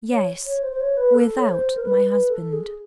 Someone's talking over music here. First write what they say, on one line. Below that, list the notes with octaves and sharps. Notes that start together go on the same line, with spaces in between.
"Yes; without my husband."
C#5
C#5
C5
C5
C#5
B4
A4
C#5
C5
A#4
B4
B4
A4
G#4